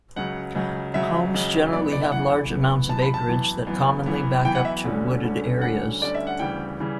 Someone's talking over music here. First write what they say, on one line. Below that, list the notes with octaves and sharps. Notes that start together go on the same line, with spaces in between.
Homes generally have large amounts of acreage that commonly back up to wooded areas.
C#2 C#3 F#3 F#5
C#2 C#3 F#3
C#2 C#3 F#3 E5
C#2 C#3 F#3
F#2 E3 B3 D5
D5
E5
F#2 E3 B3 F#5
F#2 E3 B3
F#2 E3 B3 A5
B5
A5
F#2 E3 B3
F#2 E3 B3
F#2 E3 B3
F#2 E3 B3 G5
F#5
E5
D2 D3 G3 C#4
D2 D3 G3 C#4
D2 D3 G3 C#4 F#5
D2 D3 G3 C#4 D5
E5
F#5
D2 C#3 E3 G3 G5
C#3 E3 G3